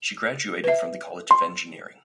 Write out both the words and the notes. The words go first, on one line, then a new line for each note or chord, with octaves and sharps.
She graduated from the College of Engineering.
B4 E5
C6